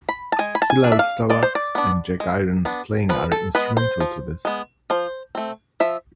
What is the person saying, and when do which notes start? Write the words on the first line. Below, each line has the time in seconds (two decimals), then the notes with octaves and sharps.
Hillel Slovak's and Jack Irons's playing are instrumental to this.
0.09 B5
0.32 A5
0.39 G#3 G#5
0.55 B5
0.62 A5
0.70 G#5
0.84 D4
0.92 E5
0.99 F5
1.30 G#3 D5
1.43 C5
1.55 D5
1.75 B3 D4
2.20 G#3
2.65 B3 D4
3.09 F3 B4
3.32 A4
3.55 G#3 B3 B4
3.77 C5
4.00 F3
4.45 G#3 B3
4.90 F3 C5
5.35 A3 C4
5.80 F3 E5